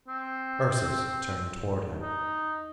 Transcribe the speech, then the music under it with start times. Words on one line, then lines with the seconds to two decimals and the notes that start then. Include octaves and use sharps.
Ursus turned towards him.
0.08 C4
2.00 D#4